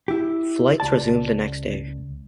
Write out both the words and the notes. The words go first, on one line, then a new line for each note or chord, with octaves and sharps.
Flights resumed the next day.
E4 G4
C#2 D5 A5